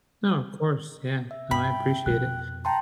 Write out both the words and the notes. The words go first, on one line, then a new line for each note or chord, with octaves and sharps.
No, of course, yeah. No, I appreciate it.
E5
G2 G5 B5
F2 B2 F#6
G5 A5 A#5 C6